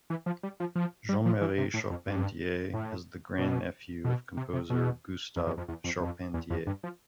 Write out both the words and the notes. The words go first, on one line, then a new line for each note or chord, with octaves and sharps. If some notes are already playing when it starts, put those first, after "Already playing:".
Jean-Marie Charpentier is the grand-nephew of composer Gustave Charpentier.
E3
F3
G3
F3
F3
G3
F3
E3
C3
A2
F2
G2
A2
B2
B2
C3
C3
B2
F2
F2
F2
E2
F2
F2
E2
F2
G2
F3